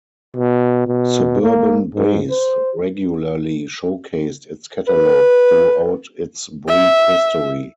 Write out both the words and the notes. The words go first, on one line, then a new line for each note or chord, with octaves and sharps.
Suburban Base regularly showcased its catalogue throughout its brief history.
B2
B2
A#3
G#2
C5
B4
E5